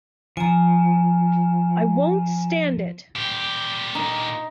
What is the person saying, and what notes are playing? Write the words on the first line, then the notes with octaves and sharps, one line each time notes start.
I won't stand it!
F3 G#5 A#5
A#2 G4
D#4